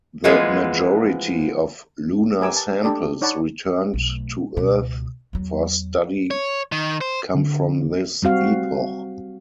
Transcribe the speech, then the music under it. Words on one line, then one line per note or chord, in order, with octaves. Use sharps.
The majority of lunar samples returned to earth for study come from this epoch.
E3 F3 G#3 B3
G4 A#4 B4 G#5 D6 E6
A5
D4 G4 A4 D5 D#5
D#4 C#5 D5 F#5 A5 B5
B1 A3
C#2 B2
E2 F#3
C#5
D#3
C5
D3
G3 C4 F#4 F5